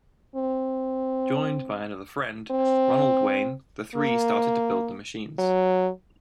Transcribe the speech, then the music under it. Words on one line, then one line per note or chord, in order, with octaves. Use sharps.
Joined by another friend, Ronald Wayne, the three started to build the machines.
C4
C4
A#3
F#3